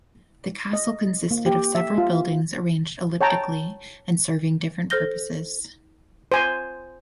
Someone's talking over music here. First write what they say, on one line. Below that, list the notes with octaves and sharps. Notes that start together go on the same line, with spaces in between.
The castle consisted of several buildings arranged elliptically and serving different purposes.
D#5
A#3
G4
E5
F4
C#5 G5 A5 A#5
A4 C5 F6 G6 A#6 G7
C5 G#5